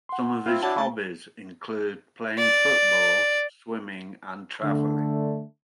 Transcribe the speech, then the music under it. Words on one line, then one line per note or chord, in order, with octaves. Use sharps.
Some of his hobbies include playing football, swimming, and traveling.
F#5 C6
C4 E4 F4
D4 E4 F#4 C#5 F#5 A5
A3 A5
D5
D3 A3